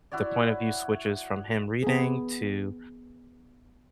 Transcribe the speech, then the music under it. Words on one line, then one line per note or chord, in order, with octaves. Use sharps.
the point of view switches from him reading to
E4 F#4 C#5 D5
B3 G#4